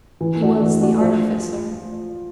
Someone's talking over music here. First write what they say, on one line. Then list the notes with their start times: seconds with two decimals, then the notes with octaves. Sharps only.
He was the artificer.
0.21 E3
0.41 A3 D4 F#4
0.61 E3
0.81 A3 D4 F#4
1.01 F3